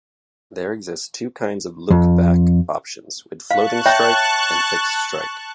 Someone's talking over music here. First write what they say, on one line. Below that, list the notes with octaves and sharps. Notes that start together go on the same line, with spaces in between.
There exist two kinds of lookback options: with floating strike and with fixed strike.
F2
F5 A5 C#6 F#6
C#5 E5 G5